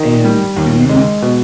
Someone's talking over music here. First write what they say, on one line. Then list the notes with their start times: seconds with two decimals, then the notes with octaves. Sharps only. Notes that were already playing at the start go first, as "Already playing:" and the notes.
and do
Already playing: D#3
0.24 G3
0.56 D#2
0.89 G#3
1.22 B2